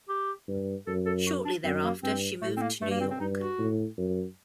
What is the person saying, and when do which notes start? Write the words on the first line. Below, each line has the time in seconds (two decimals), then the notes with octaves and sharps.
Shortly thereafter, she moved to New York.
0.09 G4
0.48 G2
0.87 F#2 A4
1.06 A4
1.26 F#4
1.45 D4
1.65 F#2 C4
1.84 A#3
2.03 G2 C4
2.42 A2 A3
2.57 C4
2.62 A#3
2.82 G2 A3
2.91 A#3
3.00 C4
3.11 C4
3.20 G2 D#4
3.40 F#4
3.58 A2
3.97 F#2